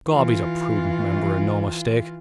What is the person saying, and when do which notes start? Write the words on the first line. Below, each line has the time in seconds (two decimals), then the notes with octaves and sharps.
Gob, he's a prudent member and no mistake.
0.10 E3 F4